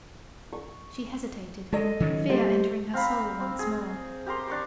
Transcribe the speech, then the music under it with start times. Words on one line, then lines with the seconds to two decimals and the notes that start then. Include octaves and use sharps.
She hesitated, fear entering her soul once more.
0.53 C#6
1.73 G#3 A4 D#5
2.00 D#3 F#3 C#4
2.29 G3 A#3 G4 C5
2.93 C4 F5 A#5 B5
3.40 C4
3.59 G#4
4.26 G4 A#4 A#5 C6
4.48 D4 C#6 D6